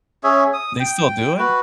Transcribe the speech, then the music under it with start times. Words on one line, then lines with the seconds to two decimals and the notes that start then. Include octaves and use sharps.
they still do it?
0.23 C#4 G#4 C#5 E5
0.53 D#6
0.80 G5
1.39 F#4 B4